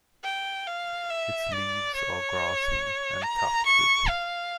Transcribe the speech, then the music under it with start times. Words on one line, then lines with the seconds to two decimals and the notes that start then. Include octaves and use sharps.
Its leaves are grassy and tufted.
0.24 G5
0.67 F5
1.10 E5
1.53 D5
1.94 C#5
3.23 A#5
3.65 C#6
4.08 F5